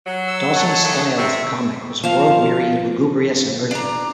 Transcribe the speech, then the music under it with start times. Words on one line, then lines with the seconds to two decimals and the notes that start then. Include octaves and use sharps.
Dawson's style as a comic was world-weary, lugubrious and earthy.
0.06 F#3
0.28 E6
0.56 C#5 A5
0.83 D3 D#3 A3
1.18 C3 C4 E5 C#6
2.04 F3 C5 F5
3.71 D4 A#5